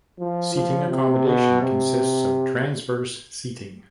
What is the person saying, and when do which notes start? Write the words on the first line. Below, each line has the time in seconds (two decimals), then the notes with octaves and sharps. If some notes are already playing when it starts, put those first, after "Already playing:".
Seating accommodation consists of transverse seating.
0.19 F3
0.54 F3
0.90 C3
1.25 B2
1.62 C3